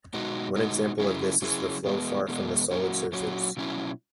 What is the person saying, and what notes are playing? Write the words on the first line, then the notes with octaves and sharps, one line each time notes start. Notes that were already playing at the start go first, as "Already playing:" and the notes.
One example of this is the flow far from solid surfaces.
B2 G#3 D#4 F#4
B2 G#3 D#4 F#4
C#3 F#3 C#4 E4 G#4
C#3 F#3 C#4 E4 G#4
E2 B2 G#3 B3
E2 B2 G#3 B3
A#2 F#3 C#4 F#4
A#2 F#3 C#4 F#4
B2 F#3 C#4 E4